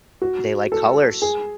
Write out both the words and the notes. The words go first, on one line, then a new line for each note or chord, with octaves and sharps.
They like colors.
F#4
A4
G#4